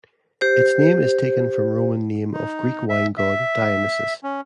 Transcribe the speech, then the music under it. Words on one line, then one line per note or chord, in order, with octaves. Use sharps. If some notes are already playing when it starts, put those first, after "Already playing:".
Its name is taken from Roman name of the Greek wine god Dionysus.
G4 C5
D#4
E5
E5
C#4